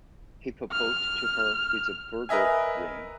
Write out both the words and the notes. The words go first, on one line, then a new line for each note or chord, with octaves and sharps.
He proposed to her with a burger ring.
F6
A#4 B4 D#5 E5 G#5